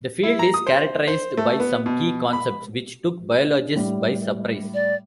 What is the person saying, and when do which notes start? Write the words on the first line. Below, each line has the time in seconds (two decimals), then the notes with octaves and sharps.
The field is characterised by some key concepts, which took biologists by surprise.
0.23 E4
0.39 A#5
0.54 D#6
0.67 C5
1.07 C5
1.37 A3
1.60 B3
1.86 B2
2.33 B5
3.76 A2 G3
4.74 D5